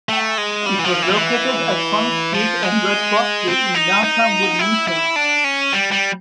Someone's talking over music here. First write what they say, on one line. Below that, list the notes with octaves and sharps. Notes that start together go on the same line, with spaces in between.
It was located at Front Street and Red Cross Street in downtown Wilmington.
A3
G#3
G3
E3
F3
E3
F3
E3
F3
G#3
C4
D#4
D#4
E4
E4
D4
C#4
G3
G3